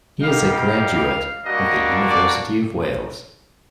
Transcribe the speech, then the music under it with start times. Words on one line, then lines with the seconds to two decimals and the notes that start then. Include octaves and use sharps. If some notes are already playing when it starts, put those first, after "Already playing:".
He is a graduate of the University of Wales.
0.21 G3 B3 D#4 G4 F5
0.53 F5
1.45 G3 A#3 D4 F#4 D#5
2.08 D5